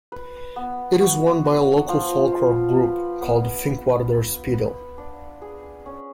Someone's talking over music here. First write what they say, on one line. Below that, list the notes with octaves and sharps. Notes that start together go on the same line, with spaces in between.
It is worn by a local folklore group called Finkwarder Speeldeel.
B4
B3
F#4
F#4
F3
F4
B4
B3
B4
B4
B4
D4
G#4
C#4